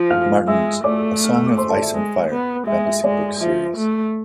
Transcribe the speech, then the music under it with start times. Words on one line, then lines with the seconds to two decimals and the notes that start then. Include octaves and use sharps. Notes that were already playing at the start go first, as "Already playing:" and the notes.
Martin's "A Song of Ice and Fire" fantasy book series.
Already playing: F3
0.10 F5 F6
0.47 G#3 E5 E6
0.84 A3 D5 D6
1.24 F6
1.35 E6
1.46 D6
1.57 C5 C6
1.69 A4 A5
1.77 D5
1.82 E5
1.94 G#3
2.31 B3
2.67 G#3 E5
2.85 E5
3.04 G#3 D5
3.40 F3 E5
3.77 A3